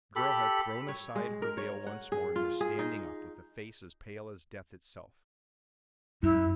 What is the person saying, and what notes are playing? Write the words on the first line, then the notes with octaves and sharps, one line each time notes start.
The girl had thrown aside her veil once more, and was standing up, with a face as pale as death itself.
G4 A4 B5
C#5
G#3
A#4
C#5
F#5
G#4
F4
G#4
D#4
F#2 E4